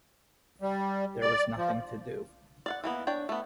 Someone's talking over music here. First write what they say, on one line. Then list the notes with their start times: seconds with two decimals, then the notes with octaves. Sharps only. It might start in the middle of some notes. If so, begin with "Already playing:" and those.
There was nothing to do.
0.62 G3
1.21 D5
1.57 F3
2.66 D5 F5 F#5
2.84 E3 A#3 B3
3.07 D4 C#5 G5
3.29 A3 B3